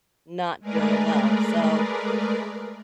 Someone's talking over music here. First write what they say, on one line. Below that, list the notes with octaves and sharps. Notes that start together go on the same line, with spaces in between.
not doing well, so
G#3 A3 G#4 A#4 B4 D5